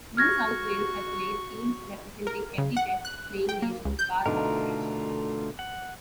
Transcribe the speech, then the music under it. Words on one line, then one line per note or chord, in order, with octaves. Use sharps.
New South Wales have played teams representing every test playing nation bar Bangladesh.
F#4 C#6 F6 G#6 A#6
A#4
C#3
F#5
F#6
G5
A#3
C#2
G6
B2 D3 A3 D#4 F4 A#4
F#5